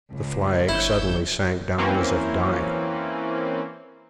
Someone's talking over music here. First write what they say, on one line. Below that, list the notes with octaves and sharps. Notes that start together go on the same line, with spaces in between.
The flag suddenly sank down as if dying.
C#2
G1 E4 C#5 E6 G6
E3 A#3 C4 C#4